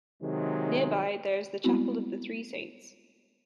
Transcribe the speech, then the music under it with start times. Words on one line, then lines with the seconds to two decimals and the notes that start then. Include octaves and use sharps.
Nearby, there is the Chapel of the Three Saints.
0.20 C3 D#3 F#3 G#3
1.64 G3 G#3 B3 C4 E4 F#4